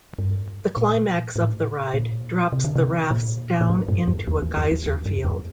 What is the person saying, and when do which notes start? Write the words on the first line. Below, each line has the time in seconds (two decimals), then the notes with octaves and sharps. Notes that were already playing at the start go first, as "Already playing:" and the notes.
The climax of the ride drops the rafts down into a geyser field.
0.19 G2
0.77 A#2
1.36 A2
1.94 A#2
2.52 C3
2.64 D3
2.75 C3
3.11 A#2
3.61 A#2
3.70 A2
3.88 G2
4.07 F2
4.27 E2
4.42 E2
4.57 F2
4.71 E2
4.86 E2
5.06 G2
5.25 F2